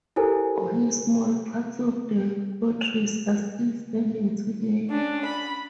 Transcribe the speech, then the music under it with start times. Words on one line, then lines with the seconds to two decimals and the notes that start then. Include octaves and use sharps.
Only small parts of the fortress are still standing today.
0.16 E4 G4 A4 A#4 C5 G#5
4.90 C#4 D4
5.25 B5